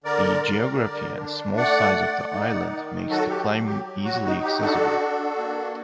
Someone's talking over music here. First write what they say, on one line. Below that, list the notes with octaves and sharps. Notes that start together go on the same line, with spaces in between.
The geography and small size of the island makes the climbing easily accessible.
D3 A#4 D5
G3
D3
D4
A3 D5 F#5
A3
D#4
D#3
F#3 F#4 A4
G4
F#3
G4
F#3
F#4
D#4 F#4
G4
D4 F#4 A4
D4
A#3